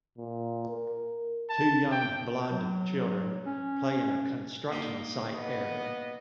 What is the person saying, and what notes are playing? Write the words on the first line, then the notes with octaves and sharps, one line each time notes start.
Two young blond children play in a construction site area.
A#2
A#4
A5
G5
F#3
C#4
A#3 D#4 G4
B3 D#5